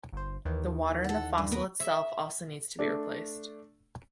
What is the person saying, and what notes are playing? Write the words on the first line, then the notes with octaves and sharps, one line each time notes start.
The water in the fossil itself also needs to be replaced.
G1 C5
D#2 D#3 E3
A4 F#5
G2
B3 A#4 B4
E5
A3 D4